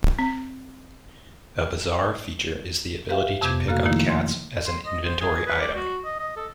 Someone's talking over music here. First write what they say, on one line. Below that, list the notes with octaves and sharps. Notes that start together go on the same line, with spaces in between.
A bizarre feature is the ability to pick up cats as an inventory item.
C4
G4 B4 E5 F5 G5
F2 C3 B3 D6 G6 G#6
C#3 A#3 F#4 A4 F5 F#6
D#3 F3 A3 A#3 D#4 E4
C6
C6
D#5
C5
G#4
B4
D5
F#4
D#5
D#5
A4